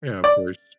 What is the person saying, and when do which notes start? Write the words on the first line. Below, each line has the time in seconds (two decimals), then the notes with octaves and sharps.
Yeah, of course.
0.24 D5